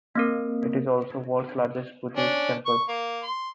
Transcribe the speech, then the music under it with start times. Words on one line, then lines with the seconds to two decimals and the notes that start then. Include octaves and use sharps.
It is also the world's largest Buddhist temple.
0.15 A#3 C4 A#4
2.17 C#4 D4
2.66 C#6
2.88 A#3
3.23 C6